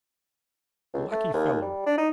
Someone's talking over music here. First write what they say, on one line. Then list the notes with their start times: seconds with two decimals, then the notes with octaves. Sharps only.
Lucky fellow!
0.94 C#2
1.12 A3
1.34 D#2
1.62 G3
1.86 D4
1.98 D#4